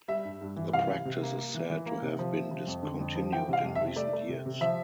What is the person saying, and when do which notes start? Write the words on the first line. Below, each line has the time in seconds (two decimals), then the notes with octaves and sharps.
The practice is said to have been discontinued in recent years.
0.08 G3 E5
0.25 G2
0.41 G2
0.57 E3
0.73 C3 F5
0.90 C3
1.05 C3
1.22 A#3
1.38 A#3
1.54 E3
1.70 E3
1.86 A#3
2.02 C3
2.19 F3
2.35 C3
2.51 F3
2.67 F2
2.83 D3
2.99 F2
3.15 F3
3.32 E3 G5
3.49 C3 F5
3.64 F2
3.75 E5
3.80 C3
3.96 A3 D5
4.13 A3
4.29 C3
4.46 C3
4.61 F3 E5